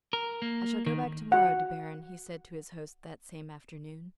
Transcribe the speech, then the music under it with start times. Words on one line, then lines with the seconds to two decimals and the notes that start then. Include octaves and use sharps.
"I shall go back to-morrow, De Baron," he said to his host that same afternoon.
0.13 A#4
0.42 A#3
0.86 D#3
1.32 F#4 F#5